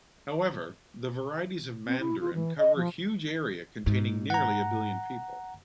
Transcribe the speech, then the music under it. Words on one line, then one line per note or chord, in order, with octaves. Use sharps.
However, the varieties of Mandarin cover a huge area containing nearly a billion people.
C4
E4
F4
E3
D#5
F3
G#2
F#5 A#5